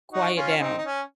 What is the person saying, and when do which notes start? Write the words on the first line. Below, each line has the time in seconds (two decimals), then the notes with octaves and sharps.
Quiet down.
0.12 D#4 F#4
0.37 C#4 F4
0.60 C4 D#4
0.78 D#4
0.84 C#4